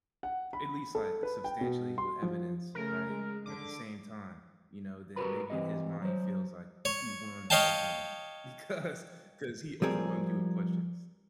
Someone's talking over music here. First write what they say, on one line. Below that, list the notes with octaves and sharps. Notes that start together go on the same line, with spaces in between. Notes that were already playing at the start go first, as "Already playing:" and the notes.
at least, like, substantially with evidence, right, at the same time, you know, then maybe in his mind, he feels like he won the argument because ‘cause he overwhelmed you with questions.
F#5
B5
A4
B4
G5
B2
C6
F3
C#3 A3 A#4
G#3
D3 D6
F#4 G4 A#4 B4 B5
E3 C4 G4 D#5
F#3 C5
C#5
C#5 D#5 F5 G5 A5
F3 G3 C4 G#4 A#4